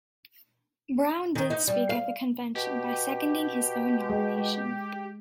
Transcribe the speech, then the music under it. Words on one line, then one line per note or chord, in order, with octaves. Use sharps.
Brown did speak at the convention by seconding his own nomination.
D#3
D#4
G3
F5
B2 G4
G#3